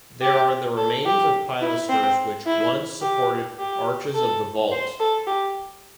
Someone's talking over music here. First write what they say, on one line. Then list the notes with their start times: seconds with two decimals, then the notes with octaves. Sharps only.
There are the remains of pilasters which once supported arches of the vault.
0.22 G4
0.78 A4
1.06 G4
1.61 E4
1.89 C4
2.46 E4
3.02 G4
3.59 G4
4.14 A4
4.72 C5
5.00 A4
5.27 G4